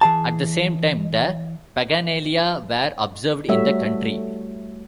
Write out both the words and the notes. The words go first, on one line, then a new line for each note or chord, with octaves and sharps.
At the same time the Paganalia were observed in the country.
E3 G#4 A5
G3 A3 F#4 C#5 E5